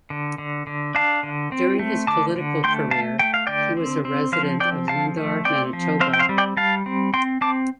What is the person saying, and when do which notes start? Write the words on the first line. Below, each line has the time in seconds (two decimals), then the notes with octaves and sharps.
During his political career, he was a resident of Lundar, Manitoba.
0.10 D3
0.38 D3
0.67 D3
0.95 D4 F5 A5
1.23 D3
1.52 C4
1.79 A3
2.07 D3 A5 D6
2.36 D3
2.64 A3 G5 C6
2.91 A3 F5 A5
3.19 A3 G5
3.34 F5
3.47 D3 D5 G5
3.77 C4
4.05 C4
4.32 F3 C5 F5
4.60 C4 D5 G5
4.88 F3 F5 A5
5.17 A3
5.45 C4 D5 G5
5.73 F3
6.00 C4 C5 F5
6.14 G5
6.19 C5 F5
6.29 G3
6.38 D5 G5
6.57 G3 F5 A5
6.86 C4
7.14 C4 G5 C6
7.41 C4 A5 D6